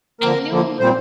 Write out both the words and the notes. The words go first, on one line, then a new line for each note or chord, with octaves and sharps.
I knew him
D3 F3 A#3 A#4
D3 F3 A#3
A#2 G3 C4 C5